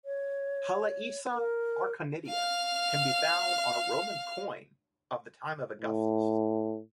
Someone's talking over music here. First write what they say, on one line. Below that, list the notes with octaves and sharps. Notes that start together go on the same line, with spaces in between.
"Halaisa Archonida" can be found on a Roman coin of the time of Augustus.
C#5
A#4
F5 F6
A2